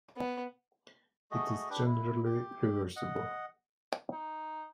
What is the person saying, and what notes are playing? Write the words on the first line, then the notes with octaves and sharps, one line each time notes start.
It is generally reversible.
B3
A3 F#4 G#4 D#5
D4 G4 B4
E4
G4
D#5 F#5
D#4